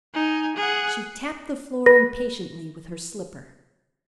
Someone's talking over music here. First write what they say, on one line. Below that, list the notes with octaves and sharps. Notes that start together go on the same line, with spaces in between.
She tapped the floor impatiently with her slipper.
D#4 G#5
G#4 F#5
B4 A#6